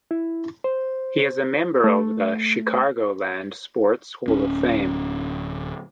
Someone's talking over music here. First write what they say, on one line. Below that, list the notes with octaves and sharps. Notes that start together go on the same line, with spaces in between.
He is a member of the Chicagoland Sports Hall of Fame.
E4
C5
A3
D1 C#4